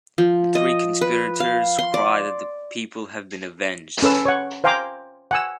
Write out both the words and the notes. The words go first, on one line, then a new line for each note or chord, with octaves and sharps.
The three conspirators cry that the people have been avenged.
F3
D#5
B4
F5
C6
D5
C#4 A4 B4 E6
C#5 F#5
C5 F5 G5 G#5 A#5 D6
F#5 G#5 E6